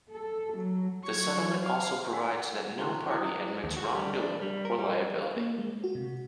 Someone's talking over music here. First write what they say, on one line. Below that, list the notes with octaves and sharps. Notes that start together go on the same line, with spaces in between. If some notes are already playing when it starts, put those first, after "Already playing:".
The settlement also provides that no party admits wrongdoing or liability.
A4
F#3
F#3 C#6 G#6
F5
F#5 G#5 E6
E4 F#4 G4 C5
E4 C5 G5 A#5 D6 D#6
D#2
F#4
G3
D4
G3
A#4
G3
F5
A#3
G#3
F#4
C3